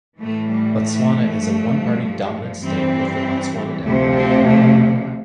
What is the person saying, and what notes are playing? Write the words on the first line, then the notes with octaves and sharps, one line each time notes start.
Botswana is a one party dominant state with the Botswana Democratic Party in power.
A2 E3 A3
G3
A3
G2 F3
G2 E3 C4
D2 C3 F3 A3
C4
A3